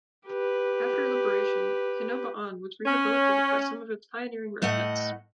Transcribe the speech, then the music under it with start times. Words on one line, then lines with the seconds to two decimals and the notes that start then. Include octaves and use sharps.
After Liberation, Hinoba-an was rehabilitated by some of its pioneering residents.
0.27 G4 B4
2.86 C#4
4.62 A2 A3 D#5 F#5